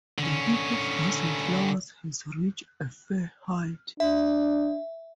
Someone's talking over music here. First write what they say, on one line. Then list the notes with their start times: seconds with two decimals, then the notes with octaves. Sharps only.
The heap of grass and flowers has reached a fair height.
0.18 D3 C#4
4.00 D4 E5